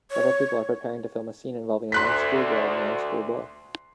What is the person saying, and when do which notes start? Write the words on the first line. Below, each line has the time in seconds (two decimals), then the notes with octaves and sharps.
Several people are preparing to film a scene involving a young schoolgirl and a young schoolboy.
0.11 C#5
1.92 D2 C6 F#6 B6